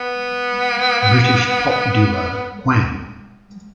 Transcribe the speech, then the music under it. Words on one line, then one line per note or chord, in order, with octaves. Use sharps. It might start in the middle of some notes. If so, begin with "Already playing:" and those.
British pop duo Wham!
Already playing: B3